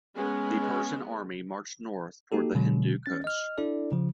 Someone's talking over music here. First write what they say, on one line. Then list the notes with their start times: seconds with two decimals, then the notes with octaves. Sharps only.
The Persian army marched north toward the Hindu Kush.
0.17 G#3 B3 C#4
2.32 A#3 D#4 F#4 G4 A4
2.55 B2 D3 F#3 G#3
3.06 C#4 A6
3.24 D#5 F6
3.58 D4 E4 A4 D5
3.92 C#3 F3